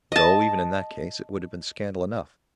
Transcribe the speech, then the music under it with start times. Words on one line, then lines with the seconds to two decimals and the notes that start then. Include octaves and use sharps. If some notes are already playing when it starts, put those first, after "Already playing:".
Though, even in that case, it would have been scandal enough.
0.12 D#5 A5